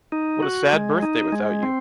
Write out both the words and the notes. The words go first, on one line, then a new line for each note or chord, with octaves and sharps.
What a sad birthday without you!
D#4
F#4
G#3
D#4
G#3
C4